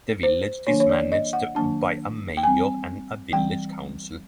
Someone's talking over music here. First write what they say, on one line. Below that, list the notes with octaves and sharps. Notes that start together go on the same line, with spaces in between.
The village is managed by a mayor and a village council.
C5
D#3 F#3 A#3 D4 C#5
C#5
D5
D#5
F#5
D#3 F#3 A#3 D4 A5
G5
E3 G3 C4 G#5
E3 G3 C4 G5